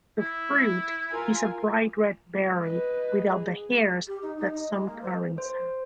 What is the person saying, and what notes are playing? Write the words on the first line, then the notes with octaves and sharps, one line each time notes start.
The fruit is a bright red berry, without the hairs that some currants have.
E4
F4 A#4 G#5
B4 D#5
G#4
G4
D#4
D#4
D#5
G#3
A#3
C5
C5